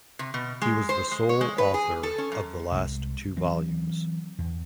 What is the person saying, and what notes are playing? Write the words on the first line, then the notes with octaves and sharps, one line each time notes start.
He was the sole author of the last two volumes.
C3
B2
G#3
C5
G#3
C#5
G#3
B4
G#4
A4
C#4
F#2
C2 G#3
E3 F#3 C4
E2